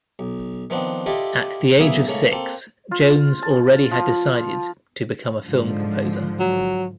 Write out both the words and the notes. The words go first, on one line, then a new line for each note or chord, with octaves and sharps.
At the age of six, Jones already had decided to become a film composer.
B1
D#3 F3 B3 C4 D4
E4 F4 G4 A4 D5 D#5
B1 A#3 B3 E4 G#4 E5
G#2 C#3 A3 A#3
A#3 C4 A4
F4
A5
F3
G#2 D3 F3
F#3